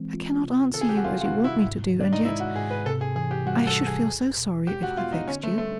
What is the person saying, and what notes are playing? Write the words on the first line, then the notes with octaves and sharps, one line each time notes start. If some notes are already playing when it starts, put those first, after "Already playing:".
I cannot answer you as you want me to do, and yet I should feel so sorry if I vexed you.'
Already playing: E3 G#3 C4
F4
C3
D#3 A4
G#4
G4
F#4
G3 F4
F4
F#4
C3
E4
G#2
D#3
D4
D#4
G#3 E4
F#4
G#2 G#4
B4
C3 A4
G#4
E3 G#4
G4
G3 F#4
A4
C3
G#4
E2
B2
G#3 G4
F#4
B3 F4
D#4
D3 C#4
A3
G3 A3